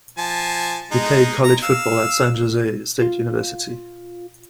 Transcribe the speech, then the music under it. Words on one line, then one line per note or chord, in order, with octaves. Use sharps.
He played college football at San Jose State University.
F3 G#5 A5
G#3 D#4
A#5
F5 E6
F4